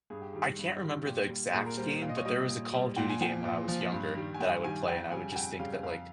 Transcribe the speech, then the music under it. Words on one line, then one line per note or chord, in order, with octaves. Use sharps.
I can't remember the exact game, but there was a Call of Duty game when I was younger that I would play, and I would just think that, like,
G2 G#4
G4
D#3 G3 G#4
G2
D#3 G3
A#2 G4
G3
A#2 G#4
A#4
G3 C5
A#2 F5
D#5
C#5
G3 D#5
A#2
G3
A#2 G5
G#5
F3 G5
A#2
F3
G2
D#3 G3
G#5
G2 G5
D#3 G3 G#5
F2 G5
C#3 G3 G#5
G#5
F2 G5
C#3 G3 F5
F2 F5